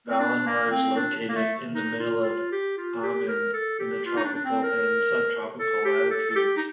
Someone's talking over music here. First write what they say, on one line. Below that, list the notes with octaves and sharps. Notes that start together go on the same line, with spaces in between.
Valinor is located in the middle of Aman, in the tropical and subtropical latitudes.
C4
D4
A#3
C4
D4
A#3
A3
D#4
F4
F4
G4
F4
G4
A#4
A4
G4
F4
D#4
D4
D4
C4
A#4
A4
G4
A4
A4
G4
D#4